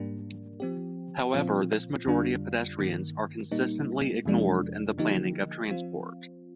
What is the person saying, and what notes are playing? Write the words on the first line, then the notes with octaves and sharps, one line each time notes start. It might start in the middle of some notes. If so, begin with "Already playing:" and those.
However, this majority of pedestrians are consistently ignored in the planning of transport.
Already playing: G#2 G3 A#3 D4
F3 C4 G4
A#2 F3 C4 F4
F2 D3 G3 D4 F4
G2 D#3 A#3
A#2 G3 A#3 D#4
F2 C3 F3 G#3 D4
D3 F3 A#3 D#4 G4
F3 C4 F4